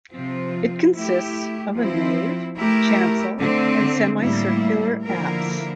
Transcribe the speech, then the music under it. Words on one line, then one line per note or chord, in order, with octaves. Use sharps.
It consists of a nave, chancel and semicircular apse.
C3 F3 C4 F4
A3 E4 G4
F3 C4 E4
A3 E4 G4 A#4
D3 A3 C4
A2 G3 A#3 E4
D3 F3 A#3 E4 A#4